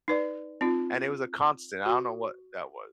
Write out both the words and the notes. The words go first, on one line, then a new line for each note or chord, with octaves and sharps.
And it was a constant, I don't know what that was,
D#4 B4 D5
C4 D#4 F4
F#4 C#6